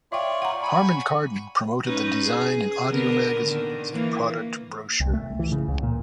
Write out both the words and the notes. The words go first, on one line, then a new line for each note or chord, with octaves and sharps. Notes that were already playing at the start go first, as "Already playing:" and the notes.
Harman Kardon promoted the design in audio magazines and product brochures.
F4 C#5 D5 E5 G5
F#5 A#5
G#5 B5 C#6
C#4 D#4 B4
G#4
D3 B3 A#4
D3 D#3
E3 A#3
C2
A3
E3
C#3
C#2
A#2